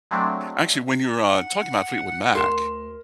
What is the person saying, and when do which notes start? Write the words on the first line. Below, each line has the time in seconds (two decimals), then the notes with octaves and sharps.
Actually, when you were, uh, talking about Fleetwood Mac,
0.11 F#3 G#3 A3 C4 D4
1.28 F#5
2.35 D2 A#4 C6 E7